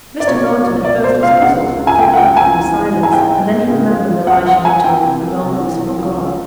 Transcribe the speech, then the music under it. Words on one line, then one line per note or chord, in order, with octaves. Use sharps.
Mr. Thornton at first was puzzled to account for her silence; and then he remembered the lie she had told, and all that was foregone.
D5
B2 C#5
B2
C#2
B2 D5
B2 C5
C#2 F5
F5
C#3 F#5
C#2
C#2
G#5
C#2 G5
F#5
C#2 G5
C#2 G#5
E3
G#2
E3
G#5
G#2 G5
G#2
G#2
C#3
F3
F3
C#2 F#5
F3 F#5
F3 G#5
E3 G5
C3
C2
C3
E3
C2
C#2
C#2